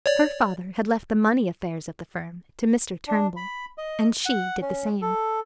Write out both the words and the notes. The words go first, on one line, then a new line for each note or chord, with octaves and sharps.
Her father had left the money affairs of the firm to Mr. Turnbull, and she did the same.
C#5 D5
D4
B5
D#5
F#5
C#4
A4